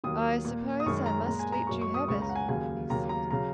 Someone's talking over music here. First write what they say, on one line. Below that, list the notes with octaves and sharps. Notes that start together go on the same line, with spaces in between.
"I suppose I must let you have it," he said.
D#2 D#3 F#3 A#3 D#6
A#2 A#3
D#6
F#2 D#3 G#3 C#6
A#5
A#2 G#3 A#5
G#5
A#5
F#2 F#3 A#3 C#6
C#6
D#6
C#2 C#3 G#3 C#6
A#5
F#5
G#5
D#2 C#3 F#3 G#5
D#2 C#3 F#3 A#3 A#5
A#5
C#3 F#3 A#5